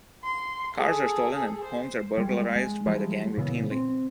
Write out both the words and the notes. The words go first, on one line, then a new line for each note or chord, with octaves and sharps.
Cars are stolen and homes are burglarized by the gang routinely.
C6
G#4 A4
C5
G3 G#3
G#3
E3 F3 G3 G#3
A#2 C#3 E3 B3
C4